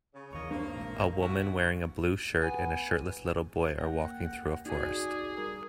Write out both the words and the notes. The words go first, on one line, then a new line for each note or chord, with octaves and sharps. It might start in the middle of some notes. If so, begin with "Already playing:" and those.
A woman wearing a blue shirt and a shirtless little boy are walking through a forest.
C#3
D#2 D#3 E3 A#3 C#5 D#5
G2 A#3 C4
A#1 D#3 G#3
C#4 E4 F#4
B3 G#5
A#3 F#5 G5 A#6
D#4 F#4 G#4 D5 G#5
G3 A#4 D#6